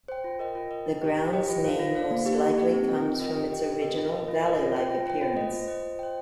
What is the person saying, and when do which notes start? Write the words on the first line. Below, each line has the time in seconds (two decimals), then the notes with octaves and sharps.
The ground's name most likely comes from its original valley-like appearance.
0.08 C5 G5
0.24 F4
0.39 A#4 D#5 G5
0.55 F4
0.70 A#4 D#5 G5
0.86 D#4
1.01 G4 D#5 G5
1.18 D#4
1.33 G4 D#5 G5
1.48 F4
1.64 C5 F5
1.79 F4
1.95 C5 F5
2.11 A#3
2.26 D#4 G4
2.42 A#3
2.57 D#4 G4
2.73 C4
2.88 F4 A#4 D#5 G5
3.03 C4
3.19 F4 A#4 D#5 G5
3.35 G4
3.50 A#4 D#5 G5
3.66 G4
3.82 A#4 D#5 G5
3.97 F4
4.12 A#4 D#5
4.28 F4
4.44 A#4 D#5
4.59 F4
4.75 C5 G5
4.90 F4
5.06 C5 G5
5.21 F4
5.37 C5 D#5
5.53 F4
5.68 C5 D#5
5.83 F4
5.99 C5 D#5 G5